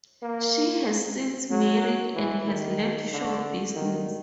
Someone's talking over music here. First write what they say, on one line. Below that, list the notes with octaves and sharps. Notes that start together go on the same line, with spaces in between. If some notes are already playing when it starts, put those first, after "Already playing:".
She has since married and has left show business.
A#3
F#3
E3
D#3
D3
D#3